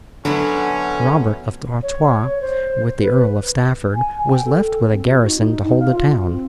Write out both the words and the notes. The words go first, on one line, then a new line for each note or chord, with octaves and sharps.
Robert of Artois, with the Earl of Stafford, was left with a garrison to hold the town.
D3 F#3 B3 C#4 E4
C#5
C5
B4
G#5
G5
A4
C4
F#4
D#4
D#4
D#4
F5
F4
C4